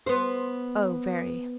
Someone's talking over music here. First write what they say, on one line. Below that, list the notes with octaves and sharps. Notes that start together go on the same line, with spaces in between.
"Oh, very."
B3 C5